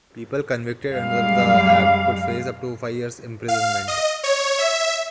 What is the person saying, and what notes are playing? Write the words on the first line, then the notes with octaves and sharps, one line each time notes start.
People convicted under the act could face up to five years imprisonment.
F#2 G3 G#3 F5
F5
D#5
C#5
E5